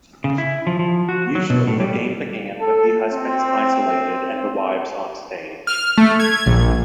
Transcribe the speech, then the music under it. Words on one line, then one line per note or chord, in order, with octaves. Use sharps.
Usually, the game began with the husbands isolated and the wives onstage.
C#3
E4
F3
F3
F#4
F#3
B2
A2
G3
A4
C4
F6
A3
G#6
A#1